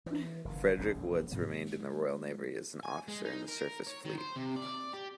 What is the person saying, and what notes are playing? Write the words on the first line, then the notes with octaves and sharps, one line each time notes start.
Frederick Woods remained in the Royal Navy as an officer in the surface fleet.
E3
F#1 D#3
E1 A#1 B2 C#4
G#2 C3 F3 A#3
G#3
G#5
G#3
D#4
A#4
C#5
D#3
C5
C3
D5
G4